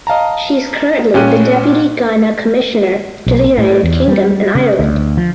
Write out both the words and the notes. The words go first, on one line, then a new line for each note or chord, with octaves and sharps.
She is currently the deputy Ghana commissioner to the United Kingdom and Ireland.
D#5 F5 A5 A#5
A#2 C#4 G5 F#6 D#7
B1
A2
E2
G3
C#3
D2
F3